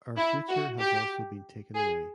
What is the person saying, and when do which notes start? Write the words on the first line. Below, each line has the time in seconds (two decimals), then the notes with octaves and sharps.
Our future has also been taken away.
0.17 E4
0.49 F#4
0.80 G4
1.75 G#4